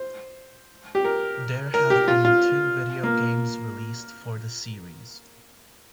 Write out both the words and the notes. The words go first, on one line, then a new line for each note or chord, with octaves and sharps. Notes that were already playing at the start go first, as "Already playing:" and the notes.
There have been two video games released for the series.
Already playing: C5
G4
A#4
A#4
G4
F4
F4
A#3